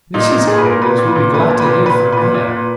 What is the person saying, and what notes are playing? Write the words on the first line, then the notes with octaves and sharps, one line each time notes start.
Mrs Kenwigs will be glad to hear from her.
A#2 D#4
A#2 D#4
A#2 G#4
B4
A#2 A#4
A#2 B4
A#2
B4
A#2
A#2 B4
A#2
B4
A#2
A#2 B4
A#2
A#2 B4
A#2
A#2